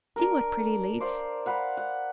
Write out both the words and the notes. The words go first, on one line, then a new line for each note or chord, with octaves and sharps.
"See what pretty leaves."
D4 A#4
C5 D5 F5
F5 F#5 B5
F#5